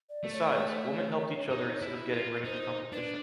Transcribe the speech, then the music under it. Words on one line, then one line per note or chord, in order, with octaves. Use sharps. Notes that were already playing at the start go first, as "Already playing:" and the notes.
Besides, women helped each other instead of getting rid of the competition.
D5
A3
C#5
C#5
D#4
E4
F4
D#4 C5
D4 B4